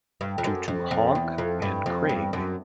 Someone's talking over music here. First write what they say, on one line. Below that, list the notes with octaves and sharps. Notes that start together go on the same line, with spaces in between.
Due to Hogg and Craig.
G2
F2
F#2
F2
F2
E2
F2
G2
F2
G2
F#2